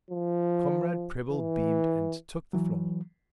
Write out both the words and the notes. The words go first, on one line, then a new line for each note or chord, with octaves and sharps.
Comrade Prebble beamed, and took the floor.
F3
E3
E3 F#3